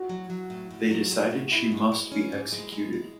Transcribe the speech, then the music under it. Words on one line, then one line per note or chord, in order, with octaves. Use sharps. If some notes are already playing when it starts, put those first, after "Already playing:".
They decide she must be executed.
Already playing: A2 F#4
F#3
F#3
A2
A2
F#3
A2
A2
G#3 E4
G#2
G#3
C#4
G#2
G#3
G#3
G#3